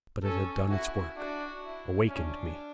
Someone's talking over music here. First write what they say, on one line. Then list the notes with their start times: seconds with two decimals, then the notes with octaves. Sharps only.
But it had done its work--awakened me.
0.23 C#4 A4
0.69 E4 F#4
1.16 D4 F#4
1.63 E4
2.08 C#4 D4